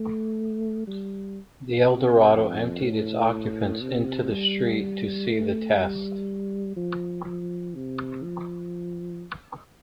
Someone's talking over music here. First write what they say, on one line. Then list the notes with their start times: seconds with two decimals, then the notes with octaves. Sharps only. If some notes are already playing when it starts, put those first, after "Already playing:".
The Eldorado emptied its occupants into the street to see the test.
Already playing: A3
0.87 G3
1.85 C3
2.34 F2
2.83 A2
3.82 C3
4.31 G3
5.29 A3
5.78 G3
6.76 F3
7.25 F3
7.75 C3
8.24 F3